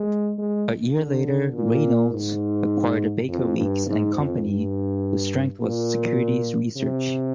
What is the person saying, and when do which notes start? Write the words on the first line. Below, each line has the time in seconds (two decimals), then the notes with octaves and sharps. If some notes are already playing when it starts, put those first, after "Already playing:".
A year later, Reynolds acquired Baker Weeks and Company whose strength was securities research.
Already playing: G#3
0.39 G#3
0.97 D3
1.54 A#2
2.12 G#2
3.29 F2
3.58 G2
3.86 G#2
4.15 F2
4.44 G2
5.60 A#2
6.77 C3